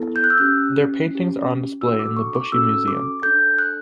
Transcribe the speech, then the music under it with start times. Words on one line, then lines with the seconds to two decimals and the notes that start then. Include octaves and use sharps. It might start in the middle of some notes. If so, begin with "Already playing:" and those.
Their paintings are on display in the Bushey Museum.
Already playing: B3 E4 A4
0.16 G6
0.24 F#6
0.30 E6
0.38 C#4 G4 F#6
1.11 C#4 G4
1.81 D4 F#4 A4 E6
1.99 D6
2.17 C#6
2.35 D6
2.52 C#4 F#4 A4 E6
2.88 D6
3.23 D4 A4 G6
3.59 F#6